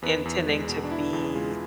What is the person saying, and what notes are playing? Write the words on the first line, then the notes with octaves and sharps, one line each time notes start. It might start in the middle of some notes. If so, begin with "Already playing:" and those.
intending to be
E2 B4
E2
G#3
B2
D4
E2 E4
E2
G#4
G#3 F4